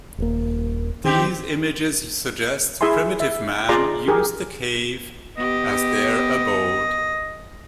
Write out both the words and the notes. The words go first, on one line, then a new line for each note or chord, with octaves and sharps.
These images suggest primitive man used the cave as their abode.
D#1 A#3
D#3 C4 G4
E4 G#4 E5 G#5 C6
E5
F4 G#4 D5 A#5 C6
G4 G#4 A#4
B3 G4 D#5